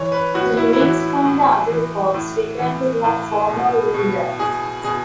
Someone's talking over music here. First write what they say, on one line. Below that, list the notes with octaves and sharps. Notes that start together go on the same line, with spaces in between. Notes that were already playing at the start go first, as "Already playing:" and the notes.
The rings from the other corps return to their former wielders.
Already playing: E3 C#5
B4
A2 F#4
E4
E4
E3 F#4
A2
E3
A2
E3
A2
B2
B2
B2 G#4
B2 G#4